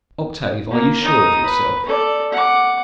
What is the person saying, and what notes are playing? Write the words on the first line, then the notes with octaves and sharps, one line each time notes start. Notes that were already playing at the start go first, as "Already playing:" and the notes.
"Octave, are you sure of yourself?"
A#3
D#4 D#6
B4
A4 D5
F#5 D6